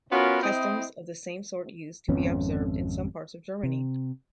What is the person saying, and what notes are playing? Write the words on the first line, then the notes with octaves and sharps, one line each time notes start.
Customs of the same sort used to be observed in some parts of Germany.
B3 C#4 F4 F#4 A#4 B4
C4 E4 D#5
G#1 F2 B3 C#4
C3